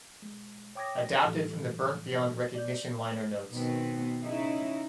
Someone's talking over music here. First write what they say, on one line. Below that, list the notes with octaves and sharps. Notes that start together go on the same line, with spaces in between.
Adapted from the "Burnt Beyond Recognition" liner notes.
G#3
C#5 G5 D6 D#6 G#6 A#6
A2 E3 G3 F4 A4
D5 G6
B2 D#3 B3 C4
C#3 D#4 E4